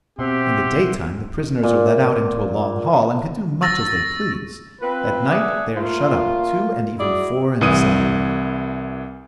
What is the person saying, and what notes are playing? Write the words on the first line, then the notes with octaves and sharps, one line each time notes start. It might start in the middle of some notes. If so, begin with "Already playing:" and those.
In the daytime the prisoners are let out into a long hall, and can do much as they please; at night they are shut up, two and even four in a cell.
B2 C4 G4 E5 F#5 C6
A#2
C#6 E6 A6 A#6
C4 F4 B4
G#4 A4 D5 E5 F#5
A3 A#3 F4
E4 F#4 G#4 D5 D#5
C2 E3 D#6 D#7